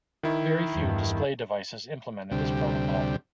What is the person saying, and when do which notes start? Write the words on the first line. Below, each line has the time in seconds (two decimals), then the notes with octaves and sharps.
Very few display devices implemented this protocol.
0.23 D#3 E4
0.72 E2 G2
2.31 D2 C3 G3